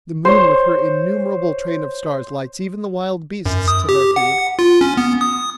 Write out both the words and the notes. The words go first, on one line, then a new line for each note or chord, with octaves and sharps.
The moon with her innumerable train of stars lights even the wild beasts to their food.
C5 C#5
F#2
D#6
G4
F#5
F4
C#4
B3
D#6